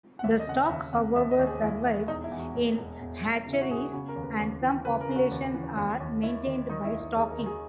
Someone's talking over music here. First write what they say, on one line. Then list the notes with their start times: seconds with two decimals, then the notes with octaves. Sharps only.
The stock however survives in hatcheries and some populations are maintained by stocking.
0.19 F#5
0.24 D#2 E5
0.39 D#5
0.47 C#3 F#5
0.55 E5
0.69 D#2 E5
0.93 D#2 F#5
1.16 D#2 E5
1.31 D#5
1.39 D#2
1.47 G#4
1.62 D#2 E4
1.85 E3 E4
2.08 E1 D#4
2.24 E4
2.31 E2
2.39 F#4
2.54 E1
2.78 E1
3.01 E1
3.24 E1
3.47 C#3
3.53 E4
3.61 F#4
3.70 E1 G#4
3.77 F#4
3.93 C#3 F#4
4.08 A#4
4.16 D#2
4.23 B4
4.39 D#2
4.61 E3
4.85 C#3 B4
5.01 A#4
5.08 C#3
5.16 F#4
5.31 D#2
5.54 E3
5.77 D#2
6.00 D#2
6.23 D#3 E4
6.47 D#3
6.69 D#3 D#4
6.85 E4
6.93 D#2
7.00 E4
7.16 D#2 G#4
7.31 A#4
7.39 D#3
7.46 G#4